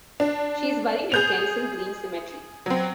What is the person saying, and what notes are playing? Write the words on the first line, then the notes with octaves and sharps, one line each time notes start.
She is buried at Kensal Green Cemetery.
D4
G#4 G6 F7
F#3 C4